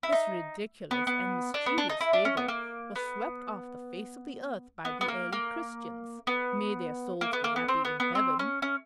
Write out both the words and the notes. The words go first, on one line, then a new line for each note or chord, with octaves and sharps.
This ridiculous and mischievous fable was swept off the face of the earth by the early Christians--may their souls be happy in Heaven!
E4
D#4
B3
B3
D4
B3
D4
D#4
E4
D4
C#4
B3
A#3
B3
B3
B3
A#3
A#3
B3
A#3
B3
A#3
B3
C4
B3
B3
C4
C#4
C#4